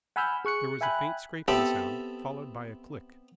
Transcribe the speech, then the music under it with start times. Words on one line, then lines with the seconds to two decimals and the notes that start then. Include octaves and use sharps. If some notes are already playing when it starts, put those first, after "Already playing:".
There was a faint scraping sound, followed by a click.
0.16 F#5 G#5 B5 E6 F6 G6
0.45 G#4 C#6 F#6 C#7
0.81 E5 G5 G#5 B5 F#6
1.48 B3 C4 G4 A4 E5